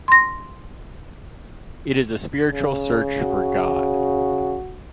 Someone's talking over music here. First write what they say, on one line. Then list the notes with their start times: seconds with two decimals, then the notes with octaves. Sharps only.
It is a spiritual search for god.
0.08 C6 A#6
2.53 C#3
3.20 F#4